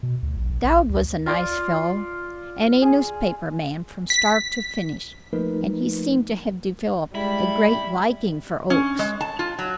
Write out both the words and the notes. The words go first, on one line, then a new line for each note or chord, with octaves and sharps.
Dowd was a nice fellow, and a newspaper man from start to finish, and he seemed to have developed a great liking for Oakes.
B2
D2
A#1
A#1
A#1
D2
F4 D5
G#4
B6
F3 A3 A#3 D#4 A#4 B4
G3 G#3 E4 B5
C#4
G#3
A5
F4
F#3